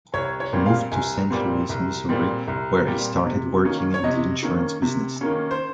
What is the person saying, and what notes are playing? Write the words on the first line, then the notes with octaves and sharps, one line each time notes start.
He moved to Saint Louis, Missouri where he started working in the insurance business.
C2 C#5
C#5
A#2 G3 C4
F5
C2 G#5
A#2 G3 C4
C2
A#2 G3 C4
C2
A#2 G3 C4
C3
D#3 A#3 C#4
C#5
C3 D#5
D#3 A#3 C#4
C3
D#3 A#3 C#4
C5